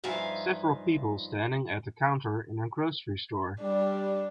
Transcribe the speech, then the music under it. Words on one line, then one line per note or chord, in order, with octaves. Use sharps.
Several people standing at a counter in a grocery store.
G2 F3 D#4 E5 F5 G#5
G3 D4